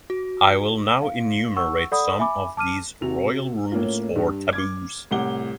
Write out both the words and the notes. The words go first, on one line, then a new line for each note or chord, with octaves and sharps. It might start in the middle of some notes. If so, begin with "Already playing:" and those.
I will now enumerate some of these royal rules or taboos.
F#4
F5
F#5 C#6 E6
A4 D5 F#5 B5 D#6
E5 G#5 B5 D6
A5 D6 F6 D#7
C3 F#4 F7
A2 A#3 C#4 F4
G2
D6 F6 G#6
C2 A2 F#5 D6 G7